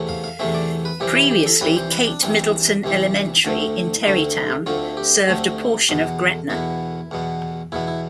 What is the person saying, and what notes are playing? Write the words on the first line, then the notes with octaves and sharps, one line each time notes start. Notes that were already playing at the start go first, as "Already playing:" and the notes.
Previously Kate Middleton Elementary in Terrytown served a portion of Gretna.
Already playing: E2 C3 E3 A3 C4
F5
F5
E2 C3 E3 A3 C4 E5
D5
B4
C2 C3 E3 G3 C4 G4
E4
G4
A4
C2 C3 E3 G3 C4 B4
C5
B4
D4
C2 C3 E3 G3 C4
C2 C3 E3 G3 C4
D2 D3 A3 C4
D2 D3 A3 C4
D2 D3 A3 C4 F4
G4
D2 D3 A3 C4
E2 B2 B3
E2 B2 B3 E4
E2 B2 B3
E2 B2 B3 E4
E4